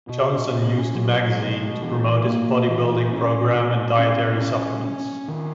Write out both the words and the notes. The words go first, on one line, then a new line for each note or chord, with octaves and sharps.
Johnson used the magazine to promote his bodybuilding program and dietary supplements.
B2
C#4
F#3
B2
E3
A#3
E3
C#4
B2
C#4
C#4
C#4
D#3